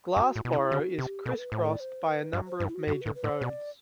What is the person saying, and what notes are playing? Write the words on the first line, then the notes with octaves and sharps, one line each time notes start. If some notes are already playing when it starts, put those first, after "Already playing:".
Glassboro is crisscrossed by a number of major roads.
F#2 F#4
A2
B2 E4
C3
D3 F#4
C3 G4
B2 A4
B4
A2 C5
D5
C5
B4
G2
C5
G2
E4
F#4
G2 F#4
A2 B4
B4
A2
C5
B2 D5